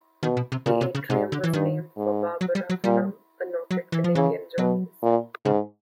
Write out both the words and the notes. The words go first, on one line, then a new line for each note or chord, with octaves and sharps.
The atrium was named for Barbara Frum, a noted Canadian journalist.
B2 D#3
B2
C3
A#2 C#3
C3
C#3
G#2 C3
D3
E3
G2 D#3
G#2
F#3
G3
F#3
A#2 G3
F#3
E3
F3
C#3 E3
B2 F#3
A#2
G#2 C#3